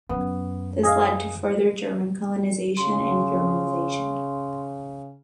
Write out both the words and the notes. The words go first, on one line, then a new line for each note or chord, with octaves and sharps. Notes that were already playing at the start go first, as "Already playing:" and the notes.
This led to further German colonization and Germanization.
F#2 B3
G#4 D#5 F5
C#3 C6